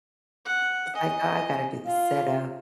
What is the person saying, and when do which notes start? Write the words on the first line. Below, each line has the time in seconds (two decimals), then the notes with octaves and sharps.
it's, like, I got to do the setup
0.45 F#5
0.96 D#5 G#5
1.86 F4 F5